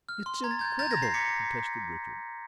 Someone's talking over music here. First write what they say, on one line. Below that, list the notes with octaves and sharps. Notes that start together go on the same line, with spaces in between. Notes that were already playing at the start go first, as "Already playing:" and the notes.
"It's incredible!" protested Richard.
F6
C6
A#5 G#6
A6
G6 G#6
A#5 G6 A6
G#6 A#6
A#5
A#6 C7
D6 B6 C#7